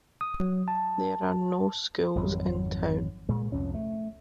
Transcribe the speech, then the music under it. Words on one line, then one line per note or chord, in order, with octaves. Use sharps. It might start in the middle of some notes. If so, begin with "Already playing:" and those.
There are no schools in town.
D#6
F#3
A5
G#1 F2 F#3
A#2 G#3
C2 F2 C#4
A3